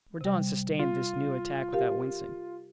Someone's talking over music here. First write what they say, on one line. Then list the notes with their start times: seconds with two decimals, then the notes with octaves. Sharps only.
Mordaunt sustained this new attack without wincing.
0.21 C3 G3
0.79 F4
1.73 G4 A#4 F5